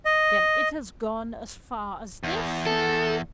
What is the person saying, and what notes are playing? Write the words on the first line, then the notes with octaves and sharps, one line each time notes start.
"Then it has gone as far as this?"
D#5
E2
A4